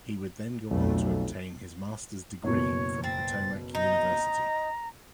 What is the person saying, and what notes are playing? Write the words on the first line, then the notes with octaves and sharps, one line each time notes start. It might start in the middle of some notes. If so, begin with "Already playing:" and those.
He would then go on to obtain his master's degree from Potomac University.
B1 F2 A3
F#1 B2 C#5
C4 A6
D#4 A#5